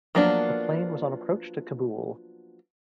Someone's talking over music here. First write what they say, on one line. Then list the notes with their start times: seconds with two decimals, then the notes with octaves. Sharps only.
The plane was on approach to Kabul.
0.15 F3 F#3 A#3 B3 D4